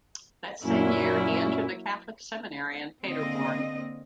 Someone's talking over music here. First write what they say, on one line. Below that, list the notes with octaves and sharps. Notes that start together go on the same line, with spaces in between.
That same year, he entered the Catholic seminary in Paderborn.
F#2 A#2 F#3 A#3 C#4 E4
D3 A#3 C4 D#5